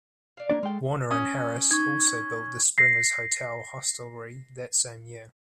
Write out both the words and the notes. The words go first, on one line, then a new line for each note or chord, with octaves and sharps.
Warner and Harris also built the Springer's Hotel hostelry that same year.
D4 F5
A#3 D4 A#4 D5
A2 G#3 A4 F5 G5
C#4 D#6
D#4 C#6 G#6
A#6 C7